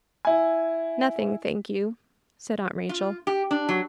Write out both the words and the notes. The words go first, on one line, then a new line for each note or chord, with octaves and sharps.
"Nothing, thank you," said Aunt Rachel.
E4 G#5
F4
G4
D4
F#3